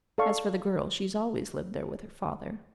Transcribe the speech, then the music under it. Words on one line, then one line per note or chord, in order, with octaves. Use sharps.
As for the girl, she's always lived there with her father.
A4 D5 F5 C#6